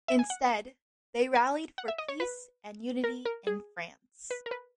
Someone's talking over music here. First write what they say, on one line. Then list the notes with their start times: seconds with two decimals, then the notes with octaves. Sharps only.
Instead, they rallied for peace and unity in France.
0.08 E5
0.19 G#5
0.30 F#5
1.35 G#5
1.78 F#5
1.88 E5
1.98 D#5
2.08 C#5
2.20 B4
3.04 A#4
3.25 A#4
3.47 G#4
4.31 B4
4.46 A#4
4.51 B4